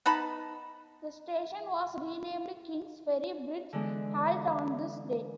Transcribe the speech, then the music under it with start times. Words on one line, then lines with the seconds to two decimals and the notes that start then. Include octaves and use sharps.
The station was renamed Kings Ferry Bridge Halt on this date.
0.06 B3 D#4 A5 B5
3.73 D3 E3 G#3 B3